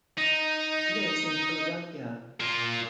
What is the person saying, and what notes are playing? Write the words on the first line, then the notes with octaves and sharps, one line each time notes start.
He lives in Philadelphia.
D#4
A#3 F4